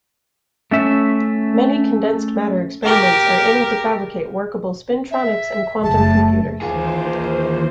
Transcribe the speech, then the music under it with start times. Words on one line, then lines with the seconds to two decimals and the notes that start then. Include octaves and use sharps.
Many condensed matter experiments are aiming to fabricate workable spintronics and quantum computers.
0.71 A3 C#4 E5
2.84 G4 A#4
5.11 E5
5.83 F#1 A3 A5
6.62 D#2 E3 F4 G#4 C5